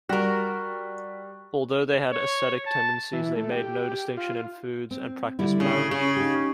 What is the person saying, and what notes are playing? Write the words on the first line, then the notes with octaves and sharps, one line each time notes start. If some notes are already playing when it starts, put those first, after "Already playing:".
Although they had ascetic tendencies, they made no distinction in foods and practiced marriage.
G3 F#4 A#4 C#6 F#6
C#5
A5
E3
A3
G4
F4
C4
D3 G3 E4
C#3
C#3 G#4
D#4 G4